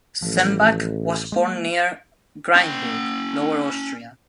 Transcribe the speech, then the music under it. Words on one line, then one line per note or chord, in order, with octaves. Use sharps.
Sembach was born near Greinburg, Lower Austria.
A1 F3
G#3 A#3
C#4 G5